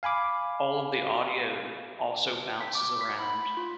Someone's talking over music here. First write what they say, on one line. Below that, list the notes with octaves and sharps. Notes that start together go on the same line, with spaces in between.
all of the audio also bounces around,
F5 G#5 B5 D6
B6
D6
B6
B5
F4